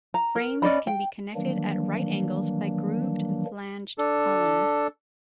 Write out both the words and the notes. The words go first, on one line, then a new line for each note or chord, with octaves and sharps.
Frames can be connected at right angles by grooved and flanged columns.
A#5
A#4
C#4 D5 D#5 B5
G5
D#3 E3 F#3 G3 A#3 D4
D4 A4